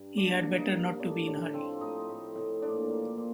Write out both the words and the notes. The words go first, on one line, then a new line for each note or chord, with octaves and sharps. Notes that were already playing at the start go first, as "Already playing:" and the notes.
He had better not be in a hurry.
Already playing: G2
A#3 D4 D5
A#3
D#4 D#5
G2
A2 D4 D5
A2 D4 D5
F3 C4 C5
A2 D#4 D#5
A2
A2
A#2 D4 D5
A#3
A#2